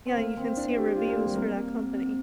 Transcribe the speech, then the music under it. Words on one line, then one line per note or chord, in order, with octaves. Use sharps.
Yeah, you can see reviews for that company.
C4
A#3 F5
C4 F5
A#3 D4
G4 D5
F4 D5
A#3
C4 D5
G3
A#3 C4
A#4
C4
C4